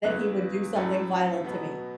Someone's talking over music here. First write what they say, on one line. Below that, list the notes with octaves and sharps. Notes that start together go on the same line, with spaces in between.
that he would do something violent to me.
E2 C#3 E3 F#6
A2 F#3 A3 C#4
B2 F#3 B3